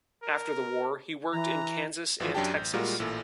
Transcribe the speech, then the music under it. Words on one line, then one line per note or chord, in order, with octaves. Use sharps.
After the war, he worked in Kansas and Texas.
A#4
E3 A#5
G#1 E3 F3 F4 F#4
F#2 F#3 D4 G4 G5 A5
A1 G6
A#2 G3 G#3 F4 F#4 A#4
A1 A#2 E4 A4